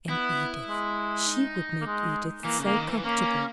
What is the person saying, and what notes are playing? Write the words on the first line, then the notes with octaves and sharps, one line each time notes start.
And Edith--she would make Edith so comfortable!
B3 E4
G#3
D#4
A#3
G#3
E3 A#3
C#3
A#3
D#3
E3
A#3 C#4
C#4